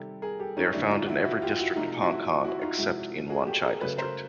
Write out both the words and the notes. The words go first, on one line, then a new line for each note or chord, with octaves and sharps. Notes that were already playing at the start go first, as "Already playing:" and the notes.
They are found in every district of Hong Kong except in Wan Chai District.
Already playing: C3 D#3 G3 G4 A4
G#4 A#4
G4 A4
C#4 D#4
D3 F#3 A3 D4 E4
D#4 F4
E4 F#4
E4 F#4
F4 G4
E4 F#4
C3 F3 A3 D#4 F4
E4 F#4
E4 F#4
D#4 F4
C3 F3 G#3 E4 F#4
F#4 G#4
G4 A4
G#4 A#4
C#3 F#3 A3 A4 B4
A#4 C5